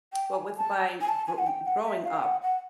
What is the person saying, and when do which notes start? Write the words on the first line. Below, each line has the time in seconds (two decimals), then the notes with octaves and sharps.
Well, with my gro growing up,
0.13 G5
0.31 G#5
0.57 A5
1.01 G#5
1.09 A5
1.27 G#5
1.38 F#5
1.47 G5
1.66 F#5
1.85 E5
2.04 F5
2.15 G5
2.23 F#5
2.42 F#5